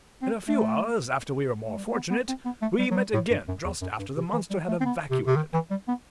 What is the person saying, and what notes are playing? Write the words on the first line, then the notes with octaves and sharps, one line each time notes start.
In a few hours after we were more fortunate, we met again just after the monster had evacuated.
C4
A3
A3
G3
A3
B3
B3
C4
B3
A3
G3
F#3
G3
A2
G2
F#2
E2
F#2
G2
C3
E3
G3
A3
C4
B3
C3
C3
D#3
E3
G3
B3